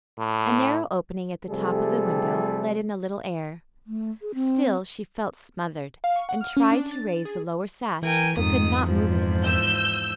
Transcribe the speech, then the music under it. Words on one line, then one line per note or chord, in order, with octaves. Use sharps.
A narrow opening at the top of the window let in a little air; still she felt smothered, and tried to raise the lower sash, but could not move it.
A2
C3 F3 G3 A3 G#4 A4
A3
G#4
C4
F5
C#6
F#5
F6
C#4
D4
A6
A6
G#4
E3 A#4 G5 G#5
F2 G#2 D#3 D#6
E2 G#2 F3
E6 G6